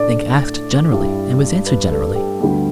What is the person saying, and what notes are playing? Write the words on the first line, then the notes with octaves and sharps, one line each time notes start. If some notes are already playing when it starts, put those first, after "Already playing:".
Link asked generally, and was answered generally.
Already playing: A2 A3 D4 D5
G2 G3 E4
B4
A4
G4
D2 D3 G3 B3 G4